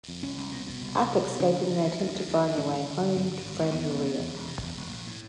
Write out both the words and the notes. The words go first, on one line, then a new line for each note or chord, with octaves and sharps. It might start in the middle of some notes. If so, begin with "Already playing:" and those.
After escaping, they attempt to find their way home to Frangeria.
F2
C2 C#4
C2
B2
B2
C2
C2
B2
B2
C#3 D4
C#3
D2
D2
D2
D2
D2
D2
G#1 C#4
D3
D3
D3
G2 C4
G2
G#1
G#1
E2 B3
E1
C3
E2
E1
C3
E2
E1
A#1
A2